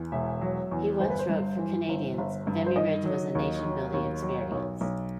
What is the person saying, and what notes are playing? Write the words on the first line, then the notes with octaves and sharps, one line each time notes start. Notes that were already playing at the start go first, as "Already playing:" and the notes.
He once wrote: For Canadians, Vimy Ridge was a nation building experience.
Already playing: E2
E1 E5
F#3
E2
G1 C5
B4
C5
G2
E3
G1
G1
G2
C5
D#3 D#5
F#3
D#2
F#3
D#2
F#3
B1
B1